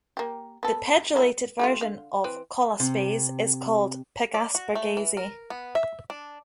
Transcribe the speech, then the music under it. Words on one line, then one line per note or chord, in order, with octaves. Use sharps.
The pegylated version of colaspase is called pegaspargase.
A#3 G4
B3 A4
G#3 A#3 E4
G3 A3 F4
D3 F5
E3 C4 B4
C3
D5
F#4
A3
E3
A#4
B3
E5
D4